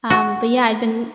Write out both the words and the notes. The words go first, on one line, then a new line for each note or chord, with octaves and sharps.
Um, but yeah, I've been
F#4